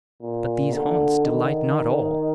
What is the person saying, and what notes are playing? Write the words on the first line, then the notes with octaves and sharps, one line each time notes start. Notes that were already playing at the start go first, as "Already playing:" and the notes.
But these haunts Delight not all.
A#2
D3
D#3